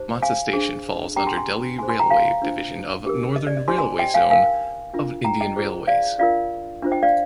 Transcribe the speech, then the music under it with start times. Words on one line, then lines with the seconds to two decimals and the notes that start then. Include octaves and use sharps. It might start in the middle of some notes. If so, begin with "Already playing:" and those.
Mansa station falls under Delhi railway division of Northern Railway zone of Indian Railways.
Already playing: D#4 G4 C5
0.22 F5 G#5
0.53 D4 G#4 C5
1.16 D4 G4 A#4 G5 A#5
1.27 G#5 C6
1.37 G#5 C6
1.79 D#4 G#4 C5 G#5 C6
1.89 G#5 C6
2.00 G5 A#5
2.10 F5 G#5
2.42 D4 F4 C5
3.05 D4 G4 A#4
3.36 D#5
3.47 D5
3.57 D#5
3.68 D#4 G4 C5 G#5 C6
3.78 G#5 C6
3.99 D#5 G5
4.14 F5 G#5
4.30 D#4 A#4 F5 G#5
4.94 D4 F4 A#4
5.25 G5 A#5
5.40 D#5 G5
5.56 F4 G#4 C5
5.87 D5 F5
6.18 D4 F4 A#4 D5 F5
6.82 D4 F4 C5
6.92 D#5 G5
7.03 D5 F5